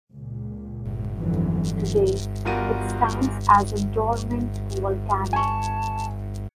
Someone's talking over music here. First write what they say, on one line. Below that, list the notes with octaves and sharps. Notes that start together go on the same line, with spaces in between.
Today, it stands as an dormant volcano.
C#2 A#2
F2 B2 D3 E3 F#3
E2 G3 F4 F#4 A#4 D#7
G#5 A5 C#6